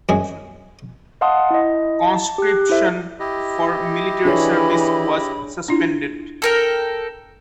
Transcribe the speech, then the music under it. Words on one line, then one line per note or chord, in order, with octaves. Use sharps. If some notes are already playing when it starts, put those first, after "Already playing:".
Conscription for military service was suspended.
F#2 G#3 G#4 C#5
D#5 F5 F#5 A5 C6 D#6
E4 D#5
A5
G4 F#6
E4 A4 C5 E5
E4 G4 D#5
E3 D4 G#4 C#5 B5
D4 E4 F4
A4 A#4 G5